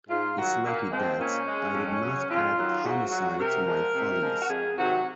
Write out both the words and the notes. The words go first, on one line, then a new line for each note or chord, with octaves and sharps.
It’s lucky that I did not add homicide to my follies.
G#2 F4
D#3 F#3 F#4
A#2 A#3
F3 G#3 C4
A#2 C#4
G#3
F2
C#3 F#3
F2 F4
D#3 F#3
G#2 F#4
F#3
C3 A#4
F3 G#3
C3
F3 G#3
F#4
F2 G#4
C3 D#3 F#3 F#4